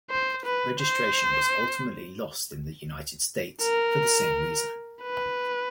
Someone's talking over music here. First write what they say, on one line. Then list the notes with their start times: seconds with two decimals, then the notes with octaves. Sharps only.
Registration was ultimately lost in the United States for the same reason.
0.10 C5
0.45 B4
0.80 C5
3.62 A#4
5.02 B4